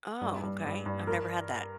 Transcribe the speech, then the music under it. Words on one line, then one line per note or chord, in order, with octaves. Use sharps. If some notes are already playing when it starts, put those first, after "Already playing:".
Oh, okay, I've never had that.
G2
G2
G2
G2
A#4